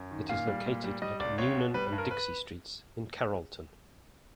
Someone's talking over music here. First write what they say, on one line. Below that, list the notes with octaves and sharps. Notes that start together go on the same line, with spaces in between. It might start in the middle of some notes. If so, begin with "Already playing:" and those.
It is located at Newnan and Dixie Streets in Carrollton.
Already playing: F#2
D#3
A#2 F5
G3
A#2
G3
G3 D#5
C#2 D5
C#2 C#5
B2
G3 B4
B4
G2
A#4
B4